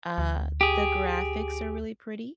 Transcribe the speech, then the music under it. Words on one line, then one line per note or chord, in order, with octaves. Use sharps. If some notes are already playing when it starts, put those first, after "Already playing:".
uh, the graphics are really pretty,
D2
G4 G#4